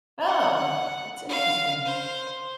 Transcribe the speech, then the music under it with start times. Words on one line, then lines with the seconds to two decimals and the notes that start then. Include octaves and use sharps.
Oh, that's interesting.
0.27 F#5
1.29 F5
1.85 C5